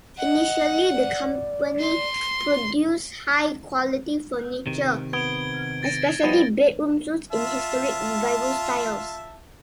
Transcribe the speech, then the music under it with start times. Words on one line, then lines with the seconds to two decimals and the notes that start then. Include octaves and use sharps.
Initially the company produced high quality furniture, especially bedroom suites, in historic revival styles.
0.19 D#5 F#5
0.92 D5
1.80 C6
4.67 C3 D#3
5.13 B3 G#6 D7 G7
5.83 A6 A#6 D7
6.23 F3 G3 B3
7.31 F4 E5 A5